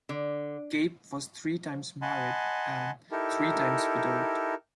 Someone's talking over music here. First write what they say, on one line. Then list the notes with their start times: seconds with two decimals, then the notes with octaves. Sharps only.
Cape was three times married and three times widowed.
0.09 D3
2.02 D#5 F#5 G#5 A5 B5 C6
3.11 D#4 E4 G4 A4 A#4